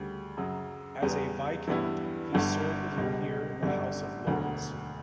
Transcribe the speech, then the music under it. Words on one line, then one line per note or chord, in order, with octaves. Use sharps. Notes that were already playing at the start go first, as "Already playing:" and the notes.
As a Viscount, he served as a peer in the House of Lords.
Already playing: D2 C#3 G3
F#2 C#3 F#3
E2 C#3 G3 B3
G2 E3 G3 B3 E4
G1 G2 D3
C#2 B2 G3
G1 F#2 D3 G3 D4
E1 D2 D3 F#3